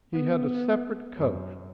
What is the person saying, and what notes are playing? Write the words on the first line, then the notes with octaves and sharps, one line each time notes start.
He had a separate coach.
B3
F#2